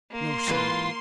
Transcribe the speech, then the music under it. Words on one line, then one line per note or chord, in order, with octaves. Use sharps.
"No sir."
A#3 C6
G#2 E3 F4 B4